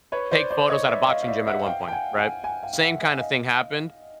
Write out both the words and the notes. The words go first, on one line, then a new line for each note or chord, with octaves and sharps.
take photos at a boxing gym at one point, right? Same kinda thing happened.
B4 C#5
C5 D5
C5 D5
C#5 D#5
D5 E5
D#5 F5
F5
D5 E5
E5 F#5
F5 G5
G5
F#5 G#5
F#5 G#5
F#5 G#5
F5 G5
F5
E5 F#5
E5 F#5
D#5 F5